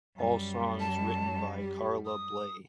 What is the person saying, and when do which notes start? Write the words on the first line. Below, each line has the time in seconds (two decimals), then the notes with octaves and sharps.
All songs written by Carla Bley.
0.16 F#2 G3
0.80 A5
1.61 G4
2.06 D#6